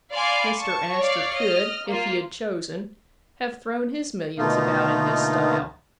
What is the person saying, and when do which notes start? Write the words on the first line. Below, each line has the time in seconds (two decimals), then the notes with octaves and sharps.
Mr. Astor could, if he had chosen, have thrown his millions about in this style.
0.11 D5 F5 G#5 B5 C6 D6
0.58 A5 C#6
0.98 C#5 D5 F5
1.37 D#5 F6
1.88 A#3 F4
4.38 B2 D3 A3 A#3 D#4 F4